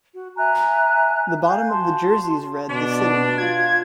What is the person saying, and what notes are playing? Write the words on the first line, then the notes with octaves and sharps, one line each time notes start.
The bottom of the jerseys read the city name.
F#4
E5 G#5 A#5 F#6
F5 G#5 G6
F#4 A5 C6
B2 D4
F4 G#6